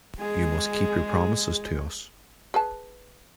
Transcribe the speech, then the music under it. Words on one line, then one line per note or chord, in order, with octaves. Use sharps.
You must keep your promises to us!
G#3 G#4
G#4 B4 A5